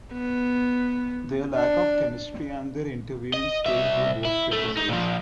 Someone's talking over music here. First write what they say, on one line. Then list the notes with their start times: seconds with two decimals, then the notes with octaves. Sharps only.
Their lack of chemistry and their interviewing skills were both criticized.
0.13 B3
1.55 D4
3.34 D#5
3.66 C2 E5
4.25 E4
4.53 F#2 A3
4.77 D#4
4.89 A#2 F3